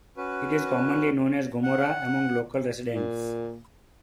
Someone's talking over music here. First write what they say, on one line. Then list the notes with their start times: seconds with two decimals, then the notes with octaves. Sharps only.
It is commonly known as "Gomorrah" among local residents.
0.17 C#4 F#4 B4
1.63 F#5
2.95 A#2